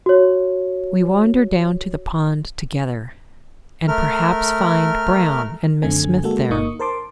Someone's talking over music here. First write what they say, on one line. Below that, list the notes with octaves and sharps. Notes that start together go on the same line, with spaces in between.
We wander down to the pond together, and perhaps find Brown and Miss Smith there.
F#4 C#5
A3 A#4 F6
F#2 D3 A3 C4 G#5
G#3 A#3 F#4 A4
G1 A#3 D#4 C#6 D#6
A#4 C5 A5 C6 D6